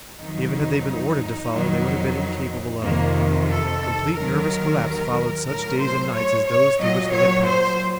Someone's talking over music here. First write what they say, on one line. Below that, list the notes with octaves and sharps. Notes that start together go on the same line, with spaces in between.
Even had they been ordered to follow they would have been incapable of it. Complete nervous collapse followed such days and nights as those through which they had passed.
F2 D#3 F#3 D#4
F2 D#3 F#3
F2 C3 D#3 A#3
A4
D#2 D#3 F#3 A#4
A2 F#3 A#4
C5
C#5
C#5
A#2 F#3 D#5
C#5
C5